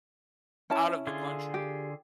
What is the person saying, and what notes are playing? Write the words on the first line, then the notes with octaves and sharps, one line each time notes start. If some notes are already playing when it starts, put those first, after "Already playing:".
out of the country.
C#4 E4 A5
D3 F4 G#4
G4